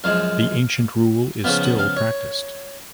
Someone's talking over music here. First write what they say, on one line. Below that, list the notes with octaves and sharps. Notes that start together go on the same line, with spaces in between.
The ancient rule is still practised.
F#2 F3 G#3 F5
C#3 F3 B3 F5
F#5
F5
C#5